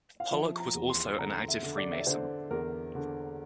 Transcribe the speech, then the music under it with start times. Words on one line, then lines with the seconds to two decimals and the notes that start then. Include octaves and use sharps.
Pollock was also an active freemason.
0.20 F5
0.31 F3 E5
0.60 A#5
0.75 E2
0.90 C6
1.19 D3 A#5
1.48 E5
1.63 D3
1.78 D5
1.92 E5
1.99 D5
2.07 D3 C5
2.51 E2 A#4
2.95 D3